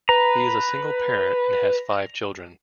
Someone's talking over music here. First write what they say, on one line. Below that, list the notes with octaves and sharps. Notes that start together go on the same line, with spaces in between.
He is a single parent and has five children.
B4 A#5